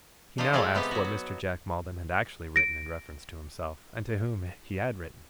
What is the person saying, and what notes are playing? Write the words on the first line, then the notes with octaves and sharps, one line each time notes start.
He now asked what Mr. Jack Maldon had actually written in reference to himself, and to whom he had written?
D4 D#4 F4 G4 C5
G#3 E4 G#4 A4 D#5 F5
C3 B3 D#4 G4
F#3 F#4
F#3
A#6 D7